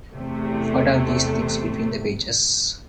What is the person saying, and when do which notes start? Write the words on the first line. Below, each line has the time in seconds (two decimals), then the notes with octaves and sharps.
What are these things between the pages?
0.14 E2 C3 A3